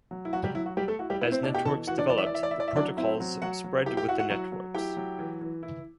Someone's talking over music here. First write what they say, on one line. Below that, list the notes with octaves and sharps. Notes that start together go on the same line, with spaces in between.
As networks developed, the protocols spread with the networks.
F#3
E4
F#3 F#4
G3 G4
F#3 E4
F#4
G3 G4
A3 A4
E4 F#4
G3 G4
B3 E4 B4
C4 C5
B2 D4 D5
G4 G5
E3 A4 A5
E3 F#4 F#5
D4 D5
E3 D5
E5
D5
E3 E5
D5
E4 E5
D5
E5
F#3 D4 D5
C4 E4 E5
F#3
F#3 F#4 F#5
F#3
E4 G4 G5
G4 G5
E4 F#4 F#5
F#4 F#5
F#3 F#4 F#5
F#3
E4 G4 G5
F#3
E3
E3
E4